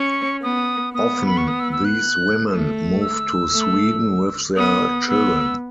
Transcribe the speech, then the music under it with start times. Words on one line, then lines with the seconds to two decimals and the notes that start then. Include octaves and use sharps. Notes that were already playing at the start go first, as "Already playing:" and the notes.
Often these women moved to Sweden with their children.
Already playing: C#4 C#6
0.42 B3 D#6
0.94 B3 D#6
1.26 B5
1.38 C#6
1.48 D#6
1.60 E6
1.72 E6
1.85 F#6
2.50 A3
3.01 E6
3.53 A3
4.56 B3 D#6
5.09 B3 E6